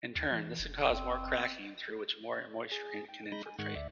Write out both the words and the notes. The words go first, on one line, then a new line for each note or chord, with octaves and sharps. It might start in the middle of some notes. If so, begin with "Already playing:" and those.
In turn, this can cause more cracking through which more moisture can infiltrate.
D2
E3
F1
F#1 C4
G#4
G5
G#3 D#4 B5 G6 A#6
G#5
G#2 D#3 G#3 F#5 C#6 F#6
D2 D5 E5